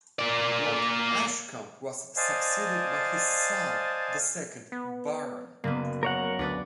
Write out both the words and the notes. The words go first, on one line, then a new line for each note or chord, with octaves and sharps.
Lord Ashcombe was succeeded by his son, the second Baron.
A#3 D5
C5 D5 D#5 F5 G#5 A5
B3
F#1 A#3 B3
A#4 C#5 F#5
D2 D4 B4 D5